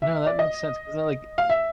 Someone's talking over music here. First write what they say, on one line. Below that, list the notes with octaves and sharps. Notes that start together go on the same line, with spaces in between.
No, that makes sense, 'cause I like
E5
D5
D#5
F5
E5